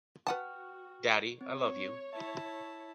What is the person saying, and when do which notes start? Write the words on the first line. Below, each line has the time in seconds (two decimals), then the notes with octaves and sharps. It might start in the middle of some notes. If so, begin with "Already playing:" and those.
Daddy, I love you.
0.27 F#4 B4 F#5 G5 A5 C#6 F6
1.41 C4 C#5
2.13 E4 E5 A5